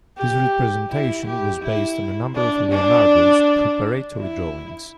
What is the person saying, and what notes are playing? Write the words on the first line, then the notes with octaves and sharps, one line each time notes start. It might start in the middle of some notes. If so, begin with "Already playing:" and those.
This representation was based on a number of Leonardo's preparatory drawings.
G4
E4
G4
E4
D4
D4
E4